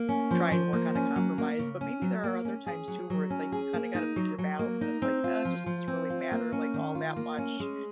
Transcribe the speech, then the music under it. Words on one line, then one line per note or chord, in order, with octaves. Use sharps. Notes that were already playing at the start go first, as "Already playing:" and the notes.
try and work on a compromise, but maybe there are other times too, where it's like you kinda gotta pick your battles, and it's like, "Uh, does this really matter, like, all that much?"
Already playing: A#3
C#4
F3
F3
A#3
C#4
F#3
A#3
C#3
C#4
F#3
A#3
C#4
G#4
F#3
F#3
C#4
G#4
A#3
D#4
F#3
F#3
A#3
D#4
C4
F4
F3
F3
C4
F4
A#3
C#4
D#3
F4
A#3
C#4
G#3